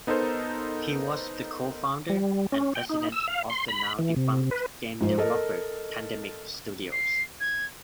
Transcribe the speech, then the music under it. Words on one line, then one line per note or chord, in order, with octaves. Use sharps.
He was the co-founder and president of the now defunct game developer Pandemic Studios.
B3 D#4 A4 A#4 C5
G3
C#4
G5
D#4
E6
F5
C6
B5
E3
C3
B4
G#2 F3 C5
A4 A#4 D#5
C7
G#6